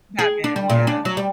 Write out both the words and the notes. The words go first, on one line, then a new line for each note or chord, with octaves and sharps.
Batman, yeah.
G#4
D4
G3
A#2
D4
F#3
G3